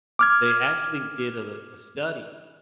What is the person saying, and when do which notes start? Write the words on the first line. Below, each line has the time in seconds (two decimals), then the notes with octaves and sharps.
They actually did a l a study
0.19 D6 F6 G#6